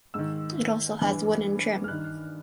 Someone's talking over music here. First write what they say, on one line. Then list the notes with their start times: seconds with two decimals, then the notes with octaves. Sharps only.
It also has wooden trim.
0.14 G#2 D#3 E6
1.02 G2 E3
1.84 F6
1.88 G2 D#3 F#6